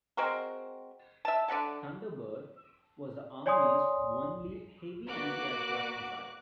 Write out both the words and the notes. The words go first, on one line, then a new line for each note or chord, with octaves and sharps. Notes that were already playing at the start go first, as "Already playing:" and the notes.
Thunderbird was the Army's only heavy anti-aircraft missile.
G#3 C4 F#4 A#4
E5 A5
D3 E5 F#5 A5
C#5 D5 G#5 C6 D#6
A#3 B3 F#4 D6 F#6